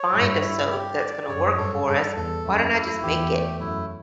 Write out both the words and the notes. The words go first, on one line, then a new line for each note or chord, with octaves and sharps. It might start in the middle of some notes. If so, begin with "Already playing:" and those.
find a soap that's gonna work for us, why don't I just make it?
Already playing: C#5
G2 E4
E4
G4
D5
F#2 C#5
G2 A4
G2 A4
E2 A4
F#2 A3
E4
E2 G4
A3
F#2 E4